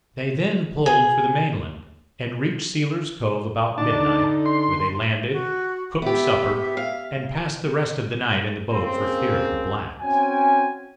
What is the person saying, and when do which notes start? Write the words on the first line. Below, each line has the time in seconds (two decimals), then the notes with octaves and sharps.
They then pulled for the mainland, and reached Sealer's Cove about midnight, where they landed, cooked supper, and passed the rest of the night in the boat for fear of the blacks.
0.86 G#4
3.78 D3 D4 D#4 A5
4.46 C6
5.32 F#4
6.02 B3 G4 E5
6.77 F5
8.72 C#3 A#3 C4
10.01 C4 C#4 F#4 G5 G#5